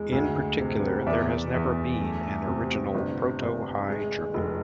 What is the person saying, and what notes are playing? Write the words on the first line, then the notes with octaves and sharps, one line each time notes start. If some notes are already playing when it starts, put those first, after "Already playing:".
In particular, there has never been an original "Proto-High German".
Already playing: E2 G#3
D2
C3
E2 D5 E5
E2
A3
C3
G1
G1
G#3
F1